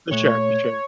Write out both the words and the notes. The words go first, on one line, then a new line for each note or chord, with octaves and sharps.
For sure. For sure.
A#2 A3 C#5